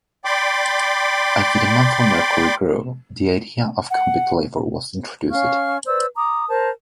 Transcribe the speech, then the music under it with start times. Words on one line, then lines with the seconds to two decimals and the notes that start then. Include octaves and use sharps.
As the demand for mercury grew, the idea of convict labor was introduced.
0.25 D5 G5 B5 C6 D6
3.90 F#5
5.31 C#4 F5 C#6 F6
5.86 B4 C5 D5 E6
6.15 A#5 D6 D#6
6.47 A#4 C5 A5